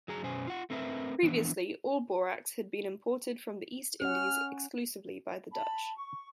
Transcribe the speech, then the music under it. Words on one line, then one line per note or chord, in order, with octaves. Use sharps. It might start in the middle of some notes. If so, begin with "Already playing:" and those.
Previously, all borax had been imported from the East Indies exclusively by the Dutch.
F#3 G#4 A#5
F#2 B2 C#4 C5 G#5
F4 F#5
A3 C4 A#4 B4 E5
E3 F3 B3 D4
C#4 F#5 F6
A5 B5
C#6